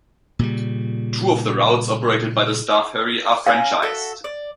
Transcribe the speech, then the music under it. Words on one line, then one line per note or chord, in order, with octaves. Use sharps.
Two of the routes operated by the Star Ferry are franchised.
A#2 C#3 G3
C#4 F5 G#5 A#5
F#4 A4 E5
D5